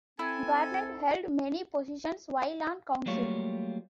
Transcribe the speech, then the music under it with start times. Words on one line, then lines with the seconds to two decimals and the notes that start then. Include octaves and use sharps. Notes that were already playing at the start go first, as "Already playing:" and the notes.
Gurnett held many positions while on Council.
0.19 C4 E4 A4 G#5
3.06 F#3 G3 A3 A#3 F4 C#5